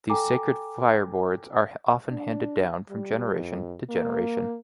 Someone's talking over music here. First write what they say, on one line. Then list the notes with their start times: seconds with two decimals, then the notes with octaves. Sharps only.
These sacred fireboards are often handed down from generation to generation.
0.10 A4 G5 G#5 A#5 D6
2.11 D4
2.89 G3
3.34 F2
3.89 A#3